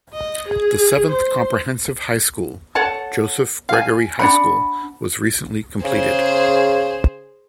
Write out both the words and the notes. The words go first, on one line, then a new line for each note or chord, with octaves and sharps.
The seventh comprehensive high school, Joseph Gregori High School, was recently completed.
D#5
G#4
C5
A4 C#5 F#5 A5
F5 G#5
D4 F#5 B5
C#3 G#4 C5